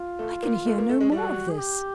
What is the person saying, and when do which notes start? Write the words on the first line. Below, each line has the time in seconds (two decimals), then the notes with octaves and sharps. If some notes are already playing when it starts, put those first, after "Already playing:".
I can hear no more of this.
Already playing: F4
0.19 A3
0.43 A#3
0.66 A3
0.78 A#3
0.89 A3
1.01 G#3
1.12 G3 F#4
1.51 G#4
1.59 G4